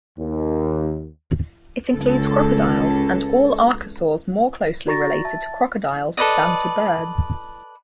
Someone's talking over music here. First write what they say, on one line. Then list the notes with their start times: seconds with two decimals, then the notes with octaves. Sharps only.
It includes crocodiles and all archosaurs more closely related to crocodiles than to birds.
0.17 D#2
1.94 C#2 A4
4.87 F#4 D5 A#5 C#6 A6 A#6
5.25 E5 A5 A6
6.17 A4 B4 D5 D#5